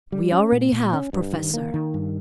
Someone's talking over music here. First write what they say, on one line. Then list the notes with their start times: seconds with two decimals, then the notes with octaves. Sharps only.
"We already have, professor."
0.12 G3
0.32 C#4
0.52 A#2
0.72 A#2
0.93 C#4
1.13 G2
1.33 D#3
1.54 A#3
1.74 D#3
1.94 G2